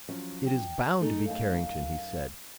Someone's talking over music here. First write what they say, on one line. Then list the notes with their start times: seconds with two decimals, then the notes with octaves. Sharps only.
"It is bound to be Carrington!" he said.
0.09 F3 F#3 C#4
0.46 G5
1.01 A3 D#4 G#4 A4
1.27 F#2 D#4 F5 A5